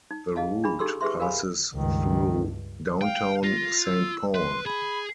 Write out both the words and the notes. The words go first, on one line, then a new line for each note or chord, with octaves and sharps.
The route passes through downtown Saint Paul.
D#4
G#4 D#5 F5 A5
D4 E4 G#4 B5
D#4 G4 A4 C6 E6
G4 G#4 B4 E5 C6
F4 A#4 F5 G#5 B5
C#2 G2 D#3
F5 G5
F4 A#6
E6
B4 C6
G#4 B5